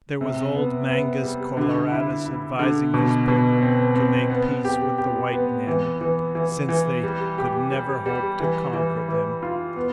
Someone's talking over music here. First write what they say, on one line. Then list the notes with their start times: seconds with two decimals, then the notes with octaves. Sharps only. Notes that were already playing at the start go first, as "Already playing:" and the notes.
There was old Mangus Coloradus advising his people to make peace with the white men, since they could never hope to conquer them.
0.21 C3
0.55 B3
0.89 B3
1.23 G3
1.57 D3
1.92 E4
2.26 E4
2.59 D3
2.94 B2
3.28 B2
3.62 C4
3.96 C4
4.30 B3
4.65 G4
4.98 G4
5.32 B3
5.67 E3
6.01 E3
6.35 E3
6.69 E3
7.03 G3
7.38 G4
7.72 G3
8.06 G3
8.40 E3
8.74 E3
9.09 E3
9.43 F4
9.76 B3